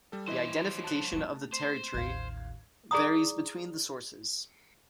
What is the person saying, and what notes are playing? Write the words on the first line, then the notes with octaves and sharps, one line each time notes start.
The identification of the territory varies between the sources.
G3 A4
E3 F#3 E4 C5 D#5
A5 F#6
A3 C4
C5
A1 D#2 F5 G#6
G#4 D5 A#5 D#6